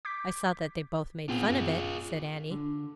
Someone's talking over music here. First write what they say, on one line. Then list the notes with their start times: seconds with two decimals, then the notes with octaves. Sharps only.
"I saw that they both made fun of it," said Annie.
0.05 D6 G6 B6
1.29 A#2 B3 C4 F4 G#4
1.50 F#2
2.51 D3